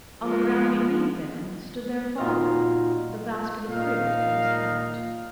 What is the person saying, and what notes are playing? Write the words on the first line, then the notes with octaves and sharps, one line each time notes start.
On the ground beneath them stood their father with a basket of fruit in his hand.
F3 G#3
A#2 D#4 F4 F#4 D#5 F6
A#2 D#4 F5